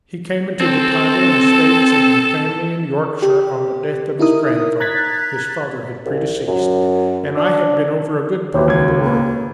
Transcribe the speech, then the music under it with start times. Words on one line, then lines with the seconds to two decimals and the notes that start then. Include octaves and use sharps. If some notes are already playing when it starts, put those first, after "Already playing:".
He came into the title and estates of the family in Yorkshire on the death of his grandfather--his father had predeceased--and I had been over a good part of the world.
0.61 C4 A4
3.22 G4
4.19 D#4 E4 A#4 D#6
4.80 A#5 F#6 G#6 A6 B6
6.05 C2
6.48 F#2
7.37 D4
8.54 D#2 F#4 G4 C5 C#5
8.68 C#2 G#6
9.02 A#3 A#4 B4